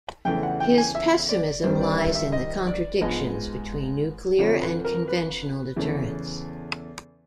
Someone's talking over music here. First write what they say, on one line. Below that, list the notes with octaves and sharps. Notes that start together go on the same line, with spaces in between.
His pessimism lies in the contradictions between nuclear and conventional deterrence.
E2 C#3 E3 A3 G5
F#5
G5
G#5
E5
D5
G2 D#3 G3 C4 C5
D5
E5
E5
D#5
D5
G#2 F3 G#3 B3 D#5
F2 D3 F3 C#5
B4
A#4
B4
E2 C#3 E3 A3